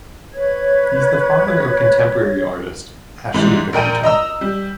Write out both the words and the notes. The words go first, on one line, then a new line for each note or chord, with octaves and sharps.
He is the father of contemporary artist Ashley Bickerton.
B4 C#5 G#6
G#2 E3 G3
A#1 A#4 G5 D#7
D#5 A#5 E6
G3